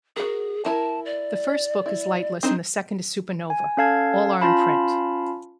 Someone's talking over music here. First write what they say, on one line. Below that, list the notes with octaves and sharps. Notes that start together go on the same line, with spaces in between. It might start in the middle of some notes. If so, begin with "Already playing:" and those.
The first book is "Lightless" and the second is "Supernova", all are in print.
F#4 G#4 A#4
E4 A#4 A5
D5
E4
C4 D4 D#4 C5
G#5
C#4 A4 F5 A5 G#6
C#4 F4 F5 A5 B5